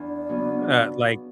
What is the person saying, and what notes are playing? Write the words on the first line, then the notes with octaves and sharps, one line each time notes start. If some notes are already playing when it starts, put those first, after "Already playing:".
Uh, like,
Already playing: E2 D4
C#3 F#3 B3